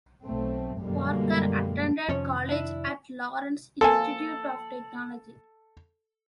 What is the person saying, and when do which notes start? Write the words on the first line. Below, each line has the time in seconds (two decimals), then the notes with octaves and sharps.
Parker attended college at Lawrence Institute of Technology.
0.23 B1 A3 C4
0.78 F#2 B2 D3 G3 G#3 A#3
2.09 F2 C3 D#3 F3 C#4 C#5
2.49 D4 E4
3.81 F3 A#3 A4 G#5